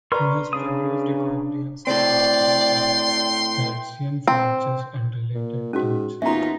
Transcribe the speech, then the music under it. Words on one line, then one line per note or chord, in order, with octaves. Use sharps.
He has produced a comprehensive glossary on Hertzian fractures and related terms.
B4 D5 A#5 C6 C#6 F6
C#3 D4 G#4 D#6
A2 C4 D5 G5 C6
C4
A#2
G#2 C#4 F#4
D#2 B3 C#4 D#4 F4 E5 A#5